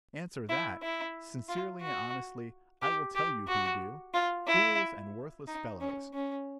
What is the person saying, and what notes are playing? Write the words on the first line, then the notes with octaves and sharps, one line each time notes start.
Answer that, sincerely and honestly I will tell you who do: fools and worthless fellows.
E4
E4
F4
F#4
G4
G4
F#4
F4
E4
D#4
C#4
C#4